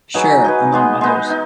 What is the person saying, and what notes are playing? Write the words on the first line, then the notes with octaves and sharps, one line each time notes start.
Sure!, among others.
F#3 D#4 G#4 B4
F#3 D#4 G#4 B4
G#3 B3 D#4
G#3 B3 D#4
D#4